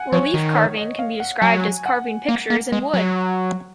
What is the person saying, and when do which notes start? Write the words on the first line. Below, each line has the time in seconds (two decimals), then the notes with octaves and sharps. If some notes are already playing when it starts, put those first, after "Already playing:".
Relief carving can be described as "carving pictures in wood".
Already playing: F#5 G#5
0.12 F3 C#5
0.34 D#3
0.56 C#5
0.77 D#5
0.99 F5
1.20 F#5
1.42 F#3 G#5
1.86 F#5
2.29 A#3
2.50 A#3
2.72 G#3
2.94 F#3